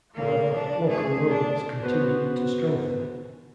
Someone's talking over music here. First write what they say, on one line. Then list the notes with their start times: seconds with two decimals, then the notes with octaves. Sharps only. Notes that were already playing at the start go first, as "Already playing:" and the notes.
However, local nobles continued to strengthen.
0.14 A#2 A#3
0.55 D4
0.88 A3 G#4
1.28 D4
1.82 B3 F#4 B4 C5